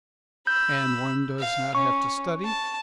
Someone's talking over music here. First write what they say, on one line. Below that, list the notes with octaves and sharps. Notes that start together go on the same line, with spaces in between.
"And one does not have to study?"
B5 E6 G6
F5
C#4 C#6
A5